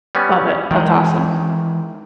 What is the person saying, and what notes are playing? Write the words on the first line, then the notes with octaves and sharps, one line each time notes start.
Love it. That's awesome.
G3 B3 C#4
D#3 E3 G#3